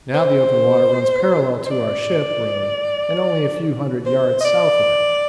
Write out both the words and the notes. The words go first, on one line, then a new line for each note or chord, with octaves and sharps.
Now the open water runs parallel to our ship road and only a few hundred yards south of it.
C5
C5
D5
C5
D#5
D5